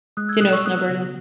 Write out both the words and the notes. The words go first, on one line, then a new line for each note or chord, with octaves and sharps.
Do you know what snowbird is?
G#3 D#6 F#6
E6 G#6
B2 D#6 F#6
C#6 E6
B3 D#6 F#6
C#3